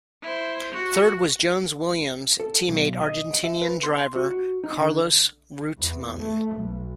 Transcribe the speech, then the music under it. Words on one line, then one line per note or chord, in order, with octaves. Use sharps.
Third was Jones' Williams teammate Argentinian driver, Carlos Reutemann.
E4 C5
F#4
A4
B1
D#5
E5
B4
C6
F#4
F#4
D#4
D3
E2
A3
B1